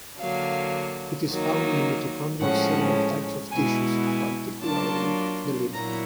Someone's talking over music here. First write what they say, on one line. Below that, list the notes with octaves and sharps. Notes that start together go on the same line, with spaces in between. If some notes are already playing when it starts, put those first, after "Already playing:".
It is found in the mitochondria of several types of tissues, particularly the liver.
D3 F#3 A#3 F5
D#3 F#3 A#3 D#4
A2 F3 G#3 C#4 F#5
B2 G#3 B3 E4 G#5
G#5
F#3 A#3 D4 F4 A5
A#2 F#3 B3 E4 A#5